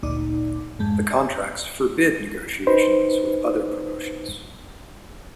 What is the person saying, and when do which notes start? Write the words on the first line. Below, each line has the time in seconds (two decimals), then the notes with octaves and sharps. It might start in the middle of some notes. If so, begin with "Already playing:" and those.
The contracts forbid negotiations with other promotions.
0.03 G#1 D2 A#2 D#4 D5 D6
0.79 F2 G#2 G#3 A5 G6
1.11 D5 E5 G#5
2.67 D#4 B4 C5